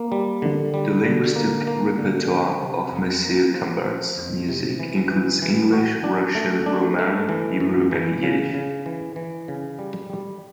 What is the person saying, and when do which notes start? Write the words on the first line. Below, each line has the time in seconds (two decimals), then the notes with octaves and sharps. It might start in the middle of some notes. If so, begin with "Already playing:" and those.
The linguistic repertoire of Monsieur Camembert's music includes English, Russian, Romani, Hebrew and Yiddish.
Already playing: A#3
0.12 G3
0.42 D3
0.74 G3
1.05 D3
1.36 A#3
1.67 A#3
1.98 D3
2.30 F3
2.62 C3
2.92 F2
3.23 A#3
3.54 F3
3.85 F3
4.18 F2
4.49 C3
4.80 E3
5.11 E3
5.42 E3
5.73 F#4
6.04 D4
6.35 A3
6.66 D4
6.99 A3
7.29 E3
7.60 F#2
7.91 E3
8.23 C#3
8.54 C#3
8.86 E3
9.16 E3
9.48 C#3
9.79 G3
10.10 G3